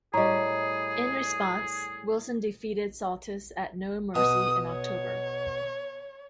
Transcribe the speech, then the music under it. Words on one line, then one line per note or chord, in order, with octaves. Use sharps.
In response, Wilson defeated Psaltis at No Mercy in October.
A2 G3 G#4 D#5 A#5
B2 D#6
C#5